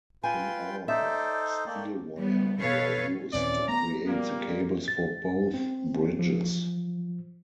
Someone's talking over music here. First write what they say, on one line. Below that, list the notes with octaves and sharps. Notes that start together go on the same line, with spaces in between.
In all of steel wire were used to create the cables for both bridges.
F4 B4 G5 G#5 C6
D#4 A4 C5 D5 E5
A3 A#3 D5 G5
G3 B3
B2 A4 B4 C#5 F5
D#2 A#2 E3 C4 C#4 D5
A3 B3 A#5
A#2 G3 A#3
A6
C4
F3